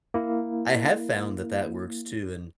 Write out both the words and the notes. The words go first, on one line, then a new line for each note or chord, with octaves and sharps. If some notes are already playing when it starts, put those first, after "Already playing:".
I have found that that works too, and
A#3 E4